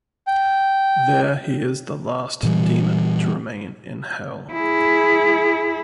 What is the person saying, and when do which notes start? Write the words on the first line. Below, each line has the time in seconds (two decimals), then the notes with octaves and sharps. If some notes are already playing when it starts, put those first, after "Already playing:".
There he is the last demon to remain in Hell.
0.27 G5
2.43 A#2 E3 G3
4.53 E4 G#4